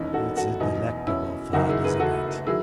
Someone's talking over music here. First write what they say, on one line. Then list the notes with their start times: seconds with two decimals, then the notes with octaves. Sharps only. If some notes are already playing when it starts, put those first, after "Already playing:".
It's a delectable thought, isn't it?
Already playing: E1 D#2 D#3 C#4 D#4 E4
0.13 F#4 A4
0.36 F#4 A4
0.60 E2 B2 F#3 D#4
1.07 C#4 E4
1.53 F#1 F#2 D#3 F#3 D#4 F#4
1.69 E4 G#4
1.84 G#4 B4
2.00 F#4 A4
2.46 D#3 F#3 E4 G#4